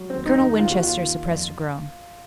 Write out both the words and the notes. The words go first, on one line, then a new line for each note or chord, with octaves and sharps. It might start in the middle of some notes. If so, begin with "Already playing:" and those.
Colonel Winchester suppressed a groan.
Already playing: F#3
D#2 C4
D#4
D#2
D#4
D#2 F4
F#4
D#2 F4
D#3
F2